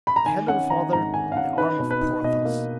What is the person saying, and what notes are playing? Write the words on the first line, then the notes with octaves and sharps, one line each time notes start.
The head of the father, and the arm of Porthos.
B5
A#5
D#3 G#5
C#4 F#5
D#3 A#5
G#2 A#5
D#3 G#5
F5
C#4 F#5
D#4 B4
B2
B4
D#4
B2 D#5
A#3